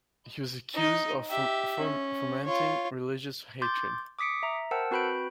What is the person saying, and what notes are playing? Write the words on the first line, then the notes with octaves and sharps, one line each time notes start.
He was accused of fomenting religious hatred.
D#4 D#5
G4 E5
C#4
F4 C#5
C6 D6 G6 A6
D6 D#6 B6 C#7 D7
E5 A#5
A#4 C5 F#5 G5 A5 E6
C4 F#4 B4 B5 G6 D7